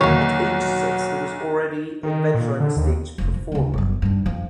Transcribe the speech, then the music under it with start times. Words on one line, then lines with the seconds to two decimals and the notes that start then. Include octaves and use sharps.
At age six, he was already a veteran stage performer.
0.01 B1 E2 D3 D#3 F#3 A#3 C#5
2.03 D#3
2.35 A#2
2.60 D3
2.77 D#2
3.18 F1 F3
3.34 F3
3.52 D2 C#3
3.74 G1 F#2
4.02 G2 D#4
4.26 F2 F3